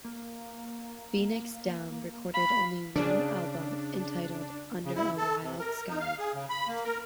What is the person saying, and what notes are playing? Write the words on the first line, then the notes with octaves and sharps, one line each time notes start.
Phoenix Down recorded only one album, entitled "Under A Wild Sky".
A#3
F5 B5
C#3 D4 G#4 D5
C#3
E4
A4
C3
A#4
D#4
F5
G#4
C#3
B5
A#3
A#4